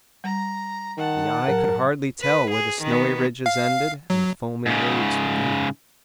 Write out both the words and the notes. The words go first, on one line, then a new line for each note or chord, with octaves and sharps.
The eye could hardly tell where the snowy ridges ended and the foaming waves began.
G3 A#5
D#3 F#5 A5
A2 F#3 A#4
B4
G#4
D#3 B3
F5
F#3
G#2 C#3